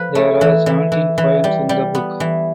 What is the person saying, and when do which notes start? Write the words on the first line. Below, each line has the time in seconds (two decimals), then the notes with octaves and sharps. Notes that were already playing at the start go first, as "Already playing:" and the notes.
There are seventeen "poems" in the book.
Already playing: F3 B4
0.15 A3
0.41 E3
0.66 E3
0.92 E3
1.18 E3
1.44 G3
1.69 G3
1.95 B3
2.20 E3